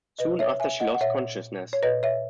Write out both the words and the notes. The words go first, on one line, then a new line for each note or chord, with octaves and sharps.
Soon after she lost consciousness.
B2 B4 D#5
C#5 E5
E5 G#5
D#5 F#5
F#5
A#2 C#5 E5
C#5
A#2 B4 D#5
C#5 E5